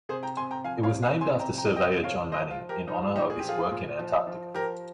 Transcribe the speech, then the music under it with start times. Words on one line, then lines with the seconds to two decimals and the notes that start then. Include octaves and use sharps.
It was named after surveyor John Manning, in honour of his work in Antarctica.
0.09 C3 G#4 C5
0.23 G5 A#5
0.37 C3 G#5 C6
0.51 G5 A#5
0.64 F3 F5 G#5
0.83 C#5 F5
0.92 C3
1.02 F5 G#5
1.21 C3 G#5 C6
1.39 G5 A#5
1.48 F3
1.57 G5 A#5
1.76 C3 D#5 G5
2.04 F3 C#5 F5
2.32 F3 C5 D#5
2.51 F4
2.60 F3
2.69 G4 A#4
2.87 F3 D#4
3.02 F4
3.15 A#2 D#4 G4
3.30 G#4
3.39 F3 G4
3.49 F4 G#4
3.71 A#2
3.99 F3
4.27 F3
4.54 F3 G4 A#4